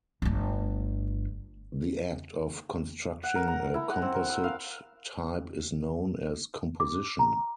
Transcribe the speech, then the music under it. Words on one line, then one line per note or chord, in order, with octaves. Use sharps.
The act of constructing a composite type is known as composition.
G1 A3
F#5
A#4
A#5
E4
F#5
C4
A#4
E6
F5
D6
A#5